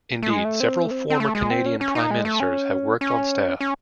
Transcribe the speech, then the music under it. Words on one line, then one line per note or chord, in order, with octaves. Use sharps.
Indeed, several former Canadian prime ministers have worked on staff.
A3
G#3
A3
C4
A3
C4
C4
A3
G#3
C4
C#4
C#4
D#4
G#3
A3
C#4
C#4
C#4